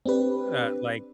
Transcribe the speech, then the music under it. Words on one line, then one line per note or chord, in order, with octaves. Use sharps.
Uh, like,
C4 D4 G4 B4